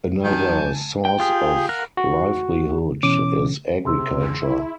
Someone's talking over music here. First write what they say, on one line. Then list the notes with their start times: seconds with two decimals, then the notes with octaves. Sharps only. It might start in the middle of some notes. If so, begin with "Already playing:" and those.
Another source of livelihood is agriculture.
0.24 D#3 F#3 G#5 A5 G6
1.05 G5
1.20 F4 G4 G#4
1.69 A#4 F5 F#5
1.97 F#4
3.03 B2 E3 C#4 D6
3.85 C3 G#4 C6 E6
4.42 E4